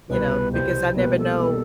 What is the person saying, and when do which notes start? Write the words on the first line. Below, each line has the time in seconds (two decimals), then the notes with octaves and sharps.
you know, because I never know
0.10 C2 B2 G3 B3 B4
0.53 C2 B2 G3 B3 C5
0.96 B2 G3 A#3 B4
1.18 A4
1.40 B2 G3 A#3